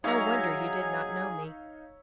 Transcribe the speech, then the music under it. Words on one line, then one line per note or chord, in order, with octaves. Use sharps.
No wonder you did not know me.
F#3 D#4 G#4 C#5 E5 F5 G#5 A#5